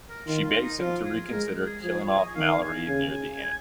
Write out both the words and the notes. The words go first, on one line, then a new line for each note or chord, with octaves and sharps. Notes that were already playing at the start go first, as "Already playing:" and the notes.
She begs him to reconsider killing off Mallory near the end.
A#4
D#3 F4
F4
D#4
F3 F4
G#4
G#3 A#4
G#4
F3 G#4
C#5
D#5
G#5
D#3 F5
F5
G#5
C#3 G#5